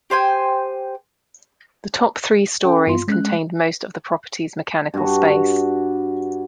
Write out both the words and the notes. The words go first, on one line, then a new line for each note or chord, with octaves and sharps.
The top three stories contained most of the property's mechanical space.
G4 C5 G5 G#5
C#4 A4 G5
G2 B3 F4 C6
G#3 C#4 F#6
G2 F#4